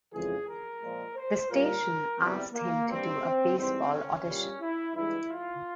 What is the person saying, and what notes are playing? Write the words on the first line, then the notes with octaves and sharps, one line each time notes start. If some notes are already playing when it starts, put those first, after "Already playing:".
The station asked him to do a baseball audition.
F2 C#3 E3 G#3 G#4
A#4
A#2 F3 G#3
C5
A#2 G3 A#4
E2 C3 G3
A#3
G2 G3 C4
C4
G#2 E3 G3 C4
C#4
A#2 G3
E4
G2 E3 G#3 E4
F4